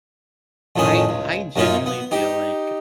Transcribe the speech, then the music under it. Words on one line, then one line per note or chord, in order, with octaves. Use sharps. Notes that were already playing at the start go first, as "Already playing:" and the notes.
I I genuinely feel like
F2 A2 D#3 C#4 D#6
C#2
F#2 A#3 C#4 D#4 F4
B3
D#4 G4